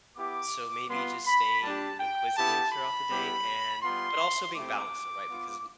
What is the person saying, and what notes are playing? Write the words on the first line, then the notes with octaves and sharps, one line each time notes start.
So maybe just staying inquisitive throughout the day and but also being balanced, though, right, because n
B3 E4 G4 D6
G3 B3 F4 C6
B5
G3 D4 G4 A5
G5
B3 E4 G4 A5
B5
G3 B3 E4 G4
G3 B3 F4 C6
A3 C4 E4 G4 D6
B3 F4